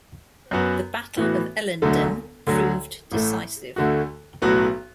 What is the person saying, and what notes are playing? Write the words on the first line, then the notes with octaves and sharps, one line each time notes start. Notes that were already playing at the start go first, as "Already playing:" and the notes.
The Battle of Ellendun proved decisive.
F#2 F#3 B3 F#4
A2 E3 B3 F#4
E1 D2 D3 F#3 A3
D2 D3 F#3
A1 A2 A3
D2 D3 A3 F#4
B1 A2 F#3 B3 F#4